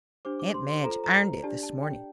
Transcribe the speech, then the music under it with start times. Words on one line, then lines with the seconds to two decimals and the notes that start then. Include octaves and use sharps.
"Aunt Madge ironed it this morning."
0.25 D4 G4 C5 D6
0.40 D6
0.54 C6
0.69 C6
0.84 F4 A4 C5 A#5
1.04 A#5
1.43 D4 G4 D5 A5
1.63 A5
1.83 G5